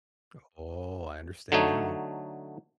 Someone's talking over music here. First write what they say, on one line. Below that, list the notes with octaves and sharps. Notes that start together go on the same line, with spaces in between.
U Oh, I understand now.
D3 F#3 A3 D#4 C#5